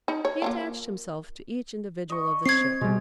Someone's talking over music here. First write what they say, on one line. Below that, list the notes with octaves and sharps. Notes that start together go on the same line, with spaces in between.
He attached himself to each individual of the ship.
D#4
C#5
A#3 E4 F4
D#5 C#6
C4 G#6 C7
B2 G3 G#3